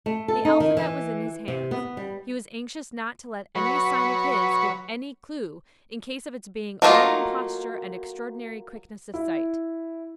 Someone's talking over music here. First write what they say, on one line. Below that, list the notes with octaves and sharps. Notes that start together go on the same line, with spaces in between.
The alphabet was in his hands; he was anxious not to let any sign of his give any clue in case of its being all imposture and extraordinary quickness of sight.
A3
A4
D#4
D#3
E3
C3
B3
G3
F#3 B4 C#5
F#3 A3 A#3 F4 D#5
E4